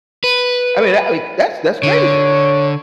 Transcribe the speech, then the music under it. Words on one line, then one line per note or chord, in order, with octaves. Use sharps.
I mean, I like, that's that's crazy!
B4
D3 C#5